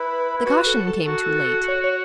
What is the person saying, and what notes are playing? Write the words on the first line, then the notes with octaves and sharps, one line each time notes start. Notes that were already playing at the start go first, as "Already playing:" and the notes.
The caution came too late.
Already playing: E4 B4
E4
F#4 B4
A4
A4
F#4
C#5
C#5